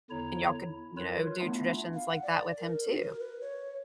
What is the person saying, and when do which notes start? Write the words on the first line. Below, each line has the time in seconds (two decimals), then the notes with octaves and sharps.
and y'all could, you know, do traditions like that with him too.
0.10 E2 D3 E4 C#5 A#5
0.48 E4
0.97 F#3 F4 A#4 B4 C#5
1.40 A3 B3 D4 E4 F4
1.94 F5
2.09 F#5
2.23 D5
2.58 A#4
2.87 F#4
3.02 A#4
3.20 B4
3.41 C#5